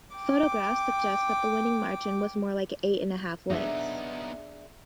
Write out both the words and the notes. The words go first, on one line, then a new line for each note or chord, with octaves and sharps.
Photographs suggest that the winning margin was more like eight and a half lengths.
G5 D6
B3 D4 D#4 G#4 E5